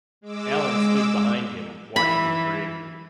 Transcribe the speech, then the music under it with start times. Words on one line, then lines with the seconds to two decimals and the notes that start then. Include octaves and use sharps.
Allan stood behind him watching him gravely.
0.21 G#3 D6 E6
1.96 E3 B5